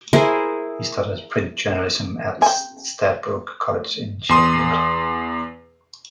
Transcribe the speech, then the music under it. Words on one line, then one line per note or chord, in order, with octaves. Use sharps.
He studied print journalism at Stradbroke College in Sheffield.
E4 G#4 A#4 C5
G5 G#5
E2 C6 D#6